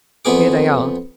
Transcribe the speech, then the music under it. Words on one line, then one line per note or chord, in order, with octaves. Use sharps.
"Here they are."
F2 B3 G#4 D6